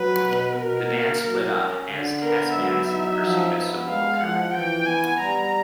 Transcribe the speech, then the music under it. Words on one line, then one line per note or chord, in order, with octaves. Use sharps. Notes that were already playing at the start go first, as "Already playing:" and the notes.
The band split up as Tess Mattisson pursued a solo career.
Already playing: F#3 B4
B2
B2 A#4
A#3
F#3
C#4
D3
B3 A#4
F#3 E5
D#4
F3
B3
G#3 F5
F3 F#5
E3 G5
B3 G#5
G3 A#5